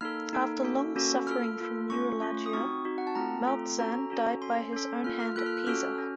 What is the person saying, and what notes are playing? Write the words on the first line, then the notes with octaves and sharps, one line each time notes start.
After long suffering from neuralgia, Maltzan died by his own hand at Pisa.
A#3 D#4 A4 F6
A#3 D#4 A4
A#3 C#4 F#4 A4
A#3 C#4 F#4 A4
A#3 F4 A4 F6
A#3 F4 A4
A3 C#4 F4 C#6
A3 C#4 F4
D#6
C4 D#4 F#4 C#6
C4 D#4 F#4
F#5
A5
A3 C4 F4 A4 A#5
A3 C4 F4 A4
C#4 F#4 A4 A#5
C#4 F#4 A4
C#4 A4 C6
C#4 A4
A#3 F4 A4 F6
F6
A#3 F4 A4 F#6
F6
F#6
C#4 F#4 A4 F6
C#4 F#4